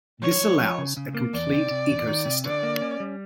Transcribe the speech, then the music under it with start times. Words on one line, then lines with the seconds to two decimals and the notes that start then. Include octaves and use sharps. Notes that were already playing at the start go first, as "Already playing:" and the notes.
This allows a complete ecosystem.
0.22 F3 C#5
0.41 F3
0.60 F3
0.78 C#3
0.97 C#3
1.15 A#3
1.34 E2 D5
1.51 C3
1.71 C3
1.89 E2
2.07 D#3
2.26 C3
2.44 D3 D5
2.63 A#3
2.82 C#4
3.00 G3